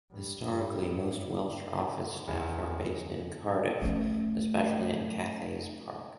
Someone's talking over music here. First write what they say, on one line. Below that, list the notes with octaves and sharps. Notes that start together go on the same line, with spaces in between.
Historically, most Welsh Office staff were based in Cardiff, especially in Cathays Park.
G2
G2
E2
A3 C#4